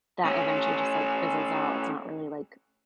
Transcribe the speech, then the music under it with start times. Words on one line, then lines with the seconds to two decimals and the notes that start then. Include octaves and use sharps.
that eventually just, like, fizzles out? It's not really, like,
0.25 A3 C#4